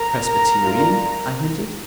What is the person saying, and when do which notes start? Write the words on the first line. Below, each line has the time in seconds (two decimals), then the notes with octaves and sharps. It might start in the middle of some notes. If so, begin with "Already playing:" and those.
"Presbyterian?" I hinted.
Already playing: A#4 A#5
0.60 A3 D4 F4